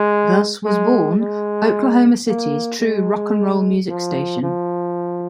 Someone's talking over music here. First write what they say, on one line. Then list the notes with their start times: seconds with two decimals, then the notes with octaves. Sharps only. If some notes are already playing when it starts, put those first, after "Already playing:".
Thus was born Oklahoma City's true "Rock N' Roll" music station.
Already playing: G#3
0.65 G#3
1.19 G#3
2.27 A#3
2.81 G#3
3.89 F3
4.42 F3